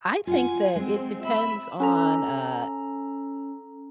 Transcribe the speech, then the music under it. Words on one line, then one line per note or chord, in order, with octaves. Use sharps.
I think that it depends on, uh
F4 F#5 G#5
G#3 C4
E5 B5
C#4 A4 A#5